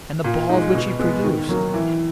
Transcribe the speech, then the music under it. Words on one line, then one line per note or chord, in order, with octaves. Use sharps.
And the balls which he produced!
A#2
G#3 D#4
B2
G#3 B3
D#3
F#3 A#3
E3